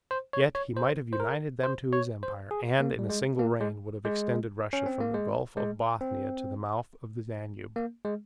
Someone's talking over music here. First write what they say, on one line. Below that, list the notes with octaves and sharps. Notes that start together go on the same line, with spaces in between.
Yet he might have united them to his empire and in a single reign would have extended Russia from the Gulf of Bothnia to the mouths of the Danube.
C5
C#5
C#5
C5
C5
A#4
C5
C#5
C5
G#4
A#3
G3
G#3
A#3
G#3
G#3
C#4
C4
A#3
G#3
G#3
C4
A#3
G#3